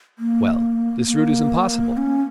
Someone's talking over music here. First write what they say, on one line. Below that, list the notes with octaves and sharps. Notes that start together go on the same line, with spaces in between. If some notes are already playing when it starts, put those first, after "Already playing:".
"Well, this route is impossible."
A#3
A#3
C#4